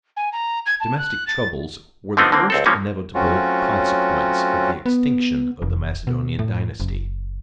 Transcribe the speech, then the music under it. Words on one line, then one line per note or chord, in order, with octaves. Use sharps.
Domestic troubles were the first inevitable consequence of the extinction of the Macedonian dynasty.
G#5
A#5
G#6
A5
F#6
A6
D3 F3 A3 B3 C4 D#4
D3 E3 A#3 C4
C#2 C4 A4
E3 F3 G3 A#3 C#4
F#3 A3 C4 C#4 F4 F#4
B3
F1
B2
A2
F#1